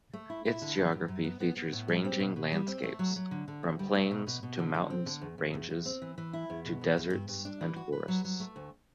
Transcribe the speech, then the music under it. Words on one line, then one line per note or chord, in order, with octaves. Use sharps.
Its geography features ranging landscapes, from plains to mountains ranges to deserts and forests.
A3
E4
E4
D3
F#2
F#2
F#2
B3
B3
B3
A2
G3
C4
B2
B2
G3
C4
A3
F#3
F#3
D3
D3
D2
G3
A3
B2
B2
B2
D3
D3
C4
D3
E2
E2
E2
E2
C4
E3
E3
E4
E2
B2
E2
E2
G2
G2
D4
E3
F#4
B4
F#3
F#3
A3
D2